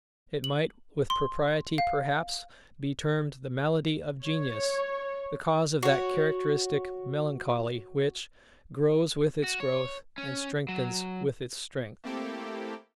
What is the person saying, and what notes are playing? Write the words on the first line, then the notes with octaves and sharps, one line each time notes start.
It might with propriety, perhaps, be termed the malady of genius; the cause of that characteristic melancholy which "grows with its growth, and strengthens with its strength."
F#7
C6
F5
C#5
F#4 C#5
F#4
C#5
C#4
F#3
A3 A#3 C4 E4 G4 A4